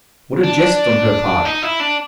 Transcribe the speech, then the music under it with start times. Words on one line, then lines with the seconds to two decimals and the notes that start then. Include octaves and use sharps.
What a jest on her part!
0.43 D4
1.45 D#4
1.63 E4
1.80 D4